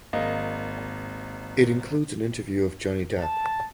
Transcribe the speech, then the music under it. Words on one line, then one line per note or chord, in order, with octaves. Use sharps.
It includes an interview of Johnny Depp.
G#1 A#3 D#5
A5